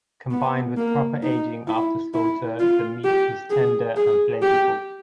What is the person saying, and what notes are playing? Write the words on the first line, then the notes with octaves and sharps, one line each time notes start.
Combined with proper aging after slaughter, the meat is tender and flavorful.
B3
A#3
D#4
E4
E4
F4
G4
G#4
G#4
G4